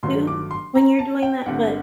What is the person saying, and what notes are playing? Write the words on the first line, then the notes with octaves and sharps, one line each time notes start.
too, when you're doing that, but,
G1 G2 D#3 F#3 A3 C6
D6
C6
A#5
A5
G5
G1 G2 D3 A3 C4 F#5